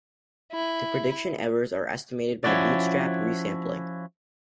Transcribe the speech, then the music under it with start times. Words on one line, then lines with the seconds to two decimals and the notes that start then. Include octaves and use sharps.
The prediction errors are estimated by bootstrap re-sampling.
0.52 E4
2.44 F3 C#4 E4 F#4 D5